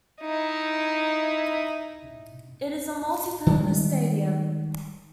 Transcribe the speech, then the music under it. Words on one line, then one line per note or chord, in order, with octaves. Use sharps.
It is a multi-purpose stadium.
D#4 E4
D#3 G3 G#3